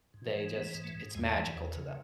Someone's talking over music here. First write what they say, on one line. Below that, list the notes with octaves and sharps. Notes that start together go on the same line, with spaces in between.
they just it's magical to them,
G#2
E3
E3 B3
G#2
A3
G#2
E2 G#3
F#3
E3
F#3
E2
C#3